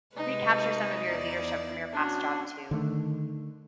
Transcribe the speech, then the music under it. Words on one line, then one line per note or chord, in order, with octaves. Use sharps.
recapture some of your leadership from your past job, too.
C3 G#3 D#4 B4
E2 E4 D5
C#4 D4 F#4
D3 D#3 A3